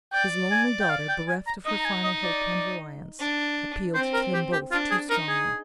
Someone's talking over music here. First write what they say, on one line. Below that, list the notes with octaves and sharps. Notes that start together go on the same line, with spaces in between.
His lonely daughter, bereft of her final hope and reliance, appealed to them both too strongly.
D5 G5
G#5
G5
F5
G5
G#5
A#5
D#4 D#5
A#5
G#5
D#5
D5
D4
C4 C5
A#4
G4
G4
D4 F4
G#4
D#4 A#4
G#4